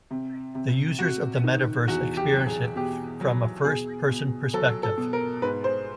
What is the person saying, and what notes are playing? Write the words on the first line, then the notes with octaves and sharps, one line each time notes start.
The users of the Metaverse experience it from a first person perspective.
C3
C3
C3 F#4
D#3
E2 F#4
G4
F#3
G#4
B2 G4
F#3
B2 G#4
B2
F#3 A4
A4
B2
A#4
G#2 B4
C5